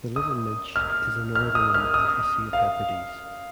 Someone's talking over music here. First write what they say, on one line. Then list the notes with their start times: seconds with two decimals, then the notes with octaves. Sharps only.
The Little Minch is the northern limit of the Sea of the Hebrides.
0.16 D#6
0.76 F6
1.35 F6
1.55 D#6
1.74 F6
1.94 D#6
2.53 F5